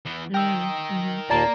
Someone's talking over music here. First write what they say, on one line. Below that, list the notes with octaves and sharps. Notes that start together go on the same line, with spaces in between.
Mm, mhm.
E3 B3
A#4 D#5 G5 E6
D#2 A#2 A#3 D5 A5 A#5